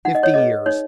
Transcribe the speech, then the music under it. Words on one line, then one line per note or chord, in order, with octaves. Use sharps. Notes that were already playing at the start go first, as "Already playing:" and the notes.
Fifty years!
D#4 F#5
D#5
C#5
G#4 B4 D#5
D#4 C#5